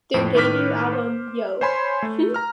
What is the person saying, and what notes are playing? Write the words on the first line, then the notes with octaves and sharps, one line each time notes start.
Their debut album, Yo!
F2 A2
A2 D#3 B4 D6 F6 B6
C5
C5 C#5 G#5 B5 C6
A3
A#5 F6